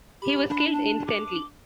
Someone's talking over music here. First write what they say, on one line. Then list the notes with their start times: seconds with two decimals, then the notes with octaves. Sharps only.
He was killed instantly.
0.22 G4 B5
0.50 D4 B5
0.73 A5
1.07 D6